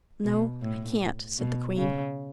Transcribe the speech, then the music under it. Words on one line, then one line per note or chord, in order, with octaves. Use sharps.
"No, I can't," said the queen.
B2
A2
B2
C#3